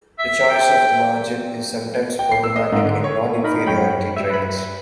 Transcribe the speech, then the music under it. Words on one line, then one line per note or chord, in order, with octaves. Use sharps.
The choice of the margin is sometimes problematic in non-inferiority trials.
E5
G5
G5
C7
E6
D#5
G#2
D3
C#5
D#4 A#4 B5
F#2 C#5 G5 B5
G3 E5
B4 B5